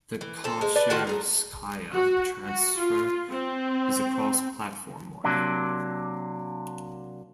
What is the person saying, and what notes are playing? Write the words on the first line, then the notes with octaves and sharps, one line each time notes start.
The Kashirskaya transfer is a cross-platform one.
E3
C4 F4 A4
G#3 C5
B4 D5 A5
D#3 F4 F#4 A5
E3 G#4 A#5
F#4
F#4
F4
C4
C3 F#3 A#3 D4